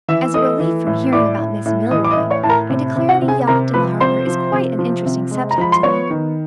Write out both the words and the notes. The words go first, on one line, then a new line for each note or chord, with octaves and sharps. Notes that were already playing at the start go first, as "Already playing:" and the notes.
As a relief from hearing about Miss Milroy, I declare the yacht in the harbor is quite an interesting subject to me!
E3 E5 E6
A3 D#5 D#6
E3
A2
A2 D5 D6
A2
A2
E3 D#5 D#6
D6
D#5 D#6
A2
C#5 C#6
A2 A5
A#4 A#5
C3
C3
F#4 F#5
C3
G#4 G#5
C3 A#4 A#5
F3 B4 B5
C3 C5 C6
F3
C3
F3
C3
G#3
A#5
F3 B5
C6
B3 C#5 C#6
D#3